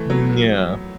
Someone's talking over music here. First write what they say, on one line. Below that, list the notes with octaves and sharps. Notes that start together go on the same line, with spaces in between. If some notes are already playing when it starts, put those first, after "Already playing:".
Mm, yeah.
Already playing: E3 A3
F#3 B3